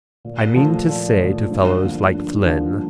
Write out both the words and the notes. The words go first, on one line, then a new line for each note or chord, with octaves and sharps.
I mean to say to fellows like Flynn.
A#2
F3 A3
A#2
F3 A3
G2
D3 F3 A#3
G2
D3 F3 A#3